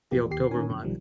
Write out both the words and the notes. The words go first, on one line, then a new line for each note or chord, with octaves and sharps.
the October month,
G#1 E2 E3 F3 A#3 G4
D#2 G4 C7
A#2 D#3 C#4 A#4 G#5
F#2 B2 D3 F3
B1 D#3 F3 G3